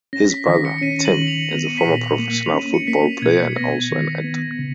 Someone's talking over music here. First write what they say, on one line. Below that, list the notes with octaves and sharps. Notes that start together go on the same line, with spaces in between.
His brother, Tim, is a former professional football player and also an actor.
C#4 A#6
B6
D#3 B6
A#6 C#7
C#7
C#4 B6 D#7
D#7 F#7
D#3
C#7 F7
B3 F7
D#7
C#7
B6 D#7
A#2
A#3
F7
C#4
D#7
C#7
A#3 B6
B2 G#6
B3 A#6
D#3
B3
C#3